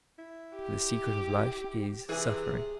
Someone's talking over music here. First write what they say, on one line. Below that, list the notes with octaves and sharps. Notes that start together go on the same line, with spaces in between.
For the secret of life is suffering.
E4
G4
C3 E3 G#4